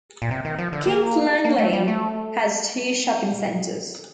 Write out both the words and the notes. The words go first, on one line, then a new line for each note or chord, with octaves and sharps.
Kings Langley has two shopping centres.
A#2
C3
D#3
F3
D3
A#3
A#3
A3
G3
A3